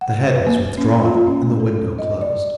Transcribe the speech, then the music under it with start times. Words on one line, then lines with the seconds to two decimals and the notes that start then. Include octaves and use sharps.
The head was withdrawn and the window closed.
0.01 F#5
0.32 B4
0.47 A#3
0.77 C#4
1.05 F4
1.27 C#4
1.43 A3
1.60 A4
1.99 D#5
2.21 D5